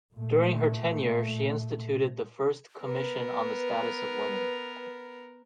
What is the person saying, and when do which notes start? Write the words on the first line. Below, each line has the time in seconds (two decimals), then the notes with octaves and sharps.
During her tenure, she instituted the first Commission on the Status of Women.
0.14 A#2 A3
2.84 B3 A#4 B4